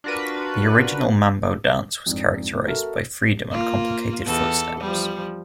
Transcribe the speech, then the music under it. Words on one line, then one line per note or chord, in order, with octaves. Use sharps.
The original mambo dance was characterized by freedom and complicated foot-steps.
D4 F4 F#4 A#4 B4
F2 G#2 D4
F1 A2
F#4 A4 A#4 E5 F6
A#3 F4
E2 A4
F3 G3